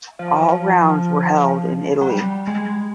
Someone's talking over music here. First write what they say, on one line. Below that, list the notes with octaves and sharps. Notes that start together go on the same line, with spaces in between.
All rounds were held in Italy.
F3
F#3
G3
G#3